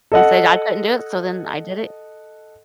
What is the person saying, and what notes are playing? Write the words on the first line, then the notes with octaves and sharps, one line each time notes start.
He said I couldn't do it, so then I did it.
A4 D#5 F#5